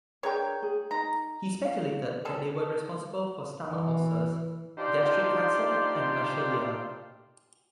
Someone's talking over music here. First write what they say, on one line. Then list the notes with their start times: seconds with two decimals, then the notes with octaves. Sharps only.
He speculated that they were responsible for stomach ulcers, gastric cancer and achylia.
0.23 D4 G#4 A#4 C#5 G5
0.63 G#4
0.91 D#4 A#5
1.65 F5
2.25 G#4 A4
3.66 E3
4.78 D4 D#4 F4 G4 C5 D5